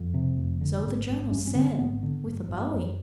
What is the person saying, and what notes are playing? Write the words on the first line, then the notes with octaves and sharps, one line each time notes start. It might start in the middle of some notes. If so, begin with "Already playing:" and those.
"So the journals said; with a bowie!"
Already playing: F2
C3
F1
D3
G#1
G#1
G2 C#4
C#4
D3 C4
G#1 B3
D3
G1
G1
F#2